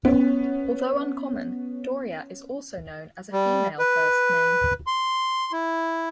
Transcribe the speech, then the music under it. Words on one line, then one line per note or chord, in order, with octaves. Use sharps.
Although uncommon, Doria is also known as a female first name.
B3 C#4
G3
B4
C6
E4